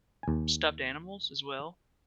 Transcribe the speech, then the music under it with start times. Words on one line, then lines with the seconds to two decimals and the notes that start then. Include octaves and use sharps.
stuffed animals as well.
0.23 D#2 G#5